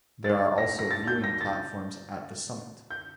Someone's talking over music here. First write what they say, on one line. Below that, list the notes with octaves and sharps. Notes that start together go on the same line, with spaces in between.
There are also viewing platforms at the summit.
A6
A#6
A#6
A6
G6
A#6
A6
G6